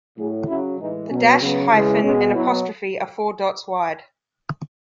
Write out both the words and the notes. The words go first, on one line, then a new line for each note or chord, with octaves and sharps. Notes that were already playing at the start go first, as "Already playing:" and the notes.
The dash, hyphen, and apostrophe are four dots wide.
A2 F#3 G#4
C#3 F#3 E4
A2 E3 G#3 D#4
B2 F#3 C#4
C#3 F#3 B3
C#3 E3 G#3
B2 G#3 C#4
B2 F#3 E4